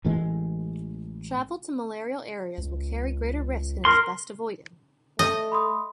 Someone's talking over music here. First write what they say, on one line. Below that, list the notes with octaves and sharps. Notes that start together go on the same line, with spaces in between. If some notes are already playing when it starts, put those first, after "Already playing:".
Travel to malarial areas will carry greater risks and is best avoided.
A1 A2 E3 G#3
C#2
A#4 C6
A3 D#5
B5 C6 D#6